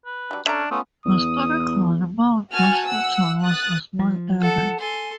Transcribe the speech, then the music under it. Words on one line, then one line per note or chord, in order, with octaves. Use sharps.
Historically, Mount Washington was a small area.
B4
F#3 G3 D4
C#4 D4 A4 E5 A#5
A3 B3 C#4 F4 D#6
E2 D#6
F#4 G#5 A5 F6
F#5 E6
D#6 F#6 A6
F3
A4 F#5 A5
A4 G#5 C6